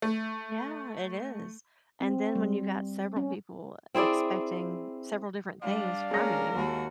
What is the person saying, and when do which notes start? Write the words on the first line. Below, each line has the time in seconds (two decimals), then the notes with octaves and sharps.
Yeah, it is, and then when you've got several people expecting several different things from you
0.02 A3
2.01 C4
2.35 G3
3.16 C#4
3.95 C4 E4 G#4 D5
5.63 G3 D4 D5 F5
6.11 G#3 C#4 A#4 A#6
6.56 D#2 F#4